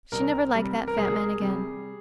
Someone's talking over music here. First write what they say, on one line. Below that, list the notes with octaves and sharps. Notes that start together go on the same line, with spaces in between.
She never liked that fat man again.
C2 A#4
C3 G3
A#4
C2 G#4
C3 G3